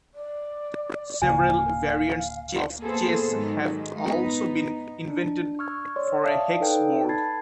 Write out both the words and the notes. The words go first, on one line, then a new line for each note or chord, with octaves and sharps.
Several variants of chess have also been invented for a hex board.
D5
D1 C#3 A#3 F5 G#5
A#3 B3 G#4 A4 C5
G#2 D#3 F#3 G#3
B3 D#4
D4
C#6 E6 F6 G#6
C#5 D5 C6
D5 E5 F5 A5 D#6
D#4 A4 B4 G5
A5 B5 G#6 A6 C7